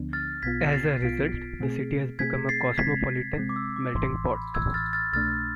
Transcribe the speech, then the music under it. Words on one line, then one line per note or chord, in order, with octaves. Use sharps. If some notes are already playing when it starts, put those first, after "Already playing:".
As a result, the city has become a cosmopolitan melting pot.
Already playing: D2 D3 F3 B3 D4
F6 A6
B1 B2 B3 F4 G#6 B6
A6 C7
B1 B2 B3 F4 B6 D7
B2 A3 C4 G#4
B2 A3 C4 G#4 G#6 B6
A6 C7
C3 G#3 C4 G#6 B6
C3 G#3 C4
D6
E6
D6
A1 A2 E3 C6
B5
A1 A2 E3 E6 G#6
F6 A6
F6 A6
C2 B2 A3 D4 F6 A6